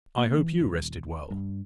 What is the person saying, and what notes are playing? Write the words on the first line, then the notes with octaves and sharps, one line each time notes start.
I hope you rested well.
A#3
E3
D#1
G2